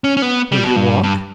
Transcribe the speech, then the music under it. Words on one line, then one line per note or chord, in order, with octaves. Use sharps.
"Will you walk?"
C#4
C#4
B3
G3
B2
G2
G2